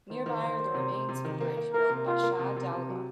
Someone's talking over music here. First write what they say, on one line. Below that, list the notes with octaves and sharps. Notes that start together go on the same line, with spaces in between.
Nearby are the remains of a bridge built by Shah Daula.
D#3 C5
D#3
D#3
A#3
C3
C3
C3
D#3
A#3
A#3
A#3 A#4
C3
A#3 F4
A#3
C3
C3
C3
F#3